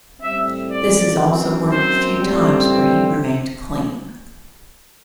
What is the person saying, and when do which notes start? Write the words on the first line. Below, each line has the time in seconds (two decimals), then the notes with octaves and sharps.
This is also one of the few times where he remains clean.
0.22 A2 G3 C4 E5
0.71 D5
1.21 F#2 F#3 C4
1.71 C5
2.21 A2 G3 C4